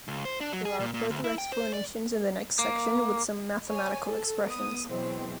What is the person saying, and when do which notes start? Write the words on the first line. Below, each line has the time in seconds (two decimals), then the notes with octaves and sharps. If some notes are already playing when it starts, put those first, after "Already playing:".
There are further explanations in the next section with some mathematical expressions.
0.08 C#2
0.25 C5
0.40 D4
0.53 F#3
0.65 G#4
0.80 A#2
0.94 A#2
1.10 D2
1.24 E4
1.38 G5
1.52 C5
1.73 D5
2.59 A#3
3.68 C#5 G#5
4.05 A4
4.44 B3 D#6
4.88 B2 E3 F#3 G#3 C4